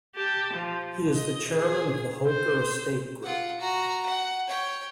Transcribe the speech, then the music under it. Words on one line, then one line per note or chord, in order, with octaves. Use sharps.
He is the Chairman of the Holker Estate Group.
G4 A5
F3
D#5
G#4
C5
F4 F#5
F#4 A#5
F#5
C#5 G5